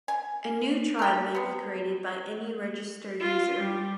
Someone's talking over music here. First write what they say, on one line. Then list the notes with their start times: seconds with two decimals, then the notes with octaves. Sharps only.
A new tribe may be created by any registered user.
0.08 G#5
0.99 A#4 G5
1.35 C3 B3
3.22 F4
3.60 G3